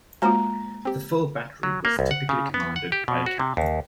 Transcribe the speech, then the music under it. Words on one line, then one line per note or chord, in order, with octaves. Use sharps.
The full battery was typically commanded by a captain.
G#3 A#3 C#4 F4 F#4 C5 A#5
C4 G4
F#3
A#3
C2
F#5
C#3
B3
F#5
G4
B2
F#4
C3
D#2